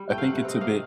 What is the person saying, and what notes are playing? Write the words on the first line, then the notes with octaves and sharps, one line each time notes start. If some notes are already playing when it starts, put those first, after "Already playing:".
I think it's a bit,
Already playing: G3
A3 G5
F5
C3 F#5
F#5
C4 D#5
A#3 F5